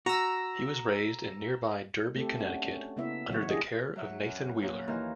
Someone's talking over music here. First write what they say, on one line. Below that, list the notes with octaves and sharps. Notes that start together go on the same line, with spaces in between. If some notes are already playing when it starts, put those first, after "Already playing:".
He was raised in nearby Derby, Connecticut, under the care of Nathan Wheeler.
F#4 A#5 E6
A3 C4 G4 A4
C#4 D4 F#4
C#4
C#3 A#3 B3 E4 E5
D#3 F#3 C#5
D4 E4 G4 G#4 D#5
F#3 E5 F#5
F#2
A#2 F#3 C#5 E5 D#6
D#2 E3 F3 D#4 A#4